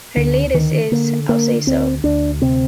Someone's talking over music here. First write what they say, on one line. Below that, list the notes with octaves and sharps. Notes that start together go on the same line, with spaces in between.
Her latest is "I'll say so!"
D2 D3
D3 D#3
D3 A#3
D3 A#3
D2 C4
D2 D4
C3 C4